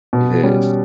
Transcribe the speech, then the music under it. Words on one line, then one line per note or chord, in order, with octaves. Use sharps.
It is.
B2
G3 C#4